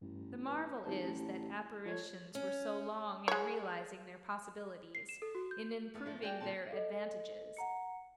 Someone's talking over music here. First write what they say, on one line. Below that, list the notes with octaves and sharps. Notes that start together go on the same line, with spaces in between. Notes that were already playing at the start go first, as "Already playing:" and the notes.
The marvel is that apparitions were so long in realizing their possibilities, in improving their advantages.
A1 G2
B4
G#1 E4 G4 A5
A1
F3 A4 C#5 G#6
C#4
G#3 C#5
C7
E7
A4
F#4
G6
A3 B3
F3 A3
F#4 G#4 C5 D5 D#5 G5
A#2 D3 C4 A4 A5
A4 D#5
F#5 A#5 C#7